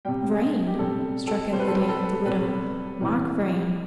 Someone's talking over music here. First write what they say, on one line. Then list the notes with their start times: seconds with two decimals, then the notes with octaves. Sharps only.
"Vrain!" struck in Lydia, the widow, "Mark Vrain."
0.05 C3 G3 G5
0.67 G4
0.79 C3 G3 A4
1.27 A4
1.52 C3 G3 C5
1.59 B4
1.68 A4
1.75 B4
1.89 A4
2.26 C3 G3 B4
3.01 C3 E3 G3